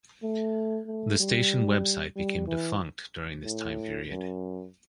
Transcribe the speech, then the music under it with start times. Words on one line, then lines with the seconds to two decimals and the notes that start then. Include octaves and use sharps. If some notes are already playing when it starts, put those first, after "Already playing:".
The station website became defunct during this time period.
0.23 A3
0.87 A3
1.20 G3
2.16 G3
2.47 E3
3.44 A2
4.09 F#2